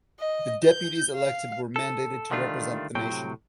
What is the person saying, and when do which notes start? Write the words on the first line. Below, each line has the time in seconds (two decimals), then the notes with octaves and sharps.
The deputies elected were mandated to represent the nation.
0.20 D#5
0.64 G6
1.15 F5
1.76 A4
2.31 D3 D#3 G3 A3 D4 F4
2.95 A2 C3 F#3 G5